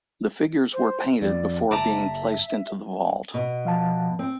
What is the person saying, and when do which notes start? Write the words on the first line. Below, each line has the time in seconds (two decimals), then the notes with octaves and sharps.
The figures were painted before being placed into the vault.
0.73 C5
1.22 F2 D5
1.71 F#1 D5 E5 A5 A#5
3.34 B2
3.65 F3 F5 A5
4.19 C4